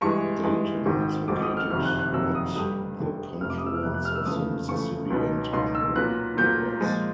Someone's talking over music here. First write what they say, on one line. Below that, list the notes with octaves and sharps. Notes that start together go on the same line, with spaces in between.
Dayton is located at the confluence of the Mississippi and Crow Rivers.
G2 E3 G#3 C#6
G2 E3 G#3
G#1 G#2 D#3
G#1 G#2 D#3 D6
D#6
F6
F#1 F2 C3 D#3 F#3 F6
F#6
F#6
F#1 F2 C3 D#3 F#3 E6
D#6
G2 D3 G3 D#6
G2 D3 G3
F1 F2 C3 F6
D6
D#6
E6
F6
F1 F2 C3 F#6
F#6
F6
E6
E2 C#3 F3 A3 D#6
E2 C#3 F3 A3 C#6
C#2 B2 F#3 B3 D#4
C#2 B2 F#3 B3 D#4 C6
E6
A#2 F#3 B3 F#6
A#2 F#3 B3 G6
A#2 F3 G#3